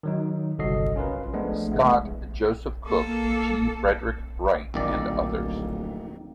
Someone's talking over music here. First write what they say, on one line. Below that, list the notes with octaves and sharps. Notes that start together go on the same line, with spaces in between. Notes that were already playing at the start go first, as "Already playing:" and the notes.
Scott, Joseph Cook, G. Frederick Wright, and others.
D#3 F#3 D#4
G1 C2 F#4 A4 D#5 C7
C#4 F4 A#4 B4
F3 G#3 A3 B3 D4
C3 E3 G#3 A3 B3
A#3 A4
D1 A#1 D#3 D5